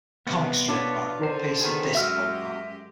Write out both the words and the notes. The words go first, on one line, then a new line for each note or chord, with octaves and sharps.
Comic strip about a grumpy, sadistic old man.
C3 G3 B3
B2 D4 F4 B4 C#5
D3 C5
D#3 B3 G#4
F#2 G#3 F#4 G4 E5 E6 F6